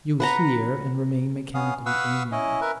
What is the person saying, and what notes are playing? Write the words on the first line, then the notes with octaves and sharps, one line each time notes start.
You hear, and remain mechanically amiable.
B4 F#5 A#5
B3 C#4 F5 D#6
B4 F5 F#5 C#6 D#6 E6
C#4 E4 D#5
A#4 B4 E5